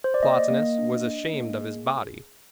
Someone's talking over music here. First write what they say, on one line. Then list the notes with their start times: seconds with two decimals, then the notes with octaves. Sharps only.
Plotinus was ashamed of his body.
0.04 C5
0.14 D5
0.23 A#3 D#5
0.50 A#3
0.78 D4
1.06 D4
1.33 A#3
1.61 G#4